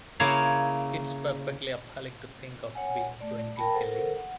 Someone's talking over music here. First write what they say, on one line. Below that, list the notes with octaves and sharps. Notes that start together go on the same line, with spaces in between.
It’s perfectly appalling to think of being twenty, Kelly.
C#3 A#3 E4 C#5 F5
C#5 F#5 G#5
A3 D5
A#4 G5 A5 B5
A4 A#4 C5 F#5
F#5